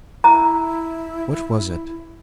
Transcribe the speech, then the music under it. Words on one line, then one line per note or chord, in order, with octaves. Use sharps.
What was it?...
E4 A#5